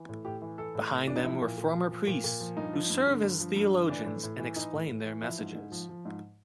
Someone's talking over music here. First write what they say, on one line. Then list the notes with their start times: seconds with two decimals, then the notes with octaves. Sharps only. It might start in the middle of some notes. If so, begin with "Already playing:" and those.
Behind them were former priests who served as theologians and explained their messages.
Already playing: E3
0.09 A2
0.25 A2 G4
0.42 E3
0.58 E3 A4
0.75 A2
0.91 A2
1.07 E3 D4
1.16 D#4
1.24 F3 E4
1.41 A#2
1.58 A#2
1.75 F3
1.91 F3
2.07 A#2
2.24 A#2
2.40 F3
2.57 G2 D#4
2.73 F3
2.90 G2
3.07 D3
3.23 G2
3.40 F3
3.56 G2
3.74 D3
3.89 E3 D4
4.06 A2
4.23 A2
4.39 E3
4.56 E3 D#4
4.73 A2
4.90 A2
5.06 E3
5.23 F3 E4
5.39 G#2
5.55 G#2
5.72 F3
5.89 F3
6.05 G#2